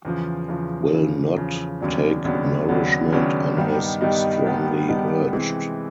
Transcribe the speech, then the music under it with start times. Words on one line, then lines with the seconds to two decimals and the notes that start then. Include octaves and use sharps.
Will not take nourishment unless strongly urged.
0.05 E2 C#3 F3
0.48 E2 C#3 F3
0.92 E2 C#3 F3
1.36 E2 C#3 F3
1.80 D#2 C#3 F#3 B3 D4
2.24 D#2 C#3 F#3 B3 D4
2.68 D#2 C#3 F#3 B3 D4
3.12 D#2 C#3 F#3 B3 D4
3.56 G2 D#3 G3 B3 D#4
4.01 G2 D#3 G3 B3 D#4
4.44 G2 D#3 G3 B3 D#4
4.88 G2 D#3 G3 B3 D#4
5.33 C3 E3 G#3 C4 E4